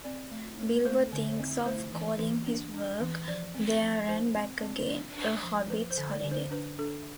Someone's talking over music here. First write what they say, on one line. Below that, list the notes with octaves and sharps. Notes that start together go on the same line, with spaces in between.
Bilbo thinks of calling his work "There and Back Again, A Hobbit's Holiday".
C4 D5
A3
A3
A3 C5
D3
C4
A3 C5
E3
E3
D4
D4
E3
F3 D5
C4
F3
F3 C5
C4
C4
D4
D4
F3
F3 B4
C5
D3
D5
D3
C5
D4 B4
D4 A4